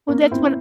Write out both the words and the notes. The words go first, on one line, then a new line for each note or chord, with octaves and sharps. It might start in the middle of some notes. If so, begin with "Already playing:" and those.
Well, that's what
A#3 C#4
C4 E4